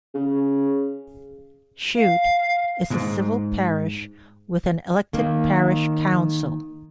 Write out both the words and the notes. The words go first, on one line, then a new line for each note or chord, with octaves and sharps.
Chute is a civil parish with an elected parish council.
C#3
F5
G#2
D#3 A#3